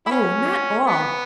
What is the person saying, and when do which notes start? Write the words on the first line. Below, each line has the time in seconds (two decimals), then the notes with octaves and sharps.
'Oh, not all!
0.06 E4
0.11 C#4
0.86 B3